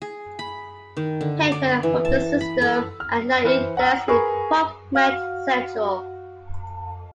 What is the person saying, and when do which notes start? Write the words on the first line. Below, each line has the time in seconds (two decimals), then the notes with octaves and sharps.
Paper from the system are now indexed in PubMed Central.
0.02 G#4
0.39 B5
0.97 D#3
1.21 D3
1.52 D5
1.83 E3
2.05 A5
2.41 B5
2.61 A4
3.00 F6
3.44 E3 B4 C5 F6 C#7
3.77 F#5 A#5 E6 F6
4.08 G#4 A#4 B4 B5 C#6
4.95 F#4 F5 F6